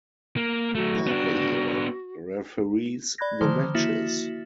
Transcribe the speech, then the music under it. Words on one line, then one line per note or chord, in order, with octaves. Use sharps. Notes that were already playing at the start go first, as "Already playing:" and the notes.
Mario referees the matches.
A#3
F#3 A3 F#4
B3 D4
D5 B5 F#6 G#6 A#6
D3 D#3 F3 C5
A#3 E4 F#4 E5 A6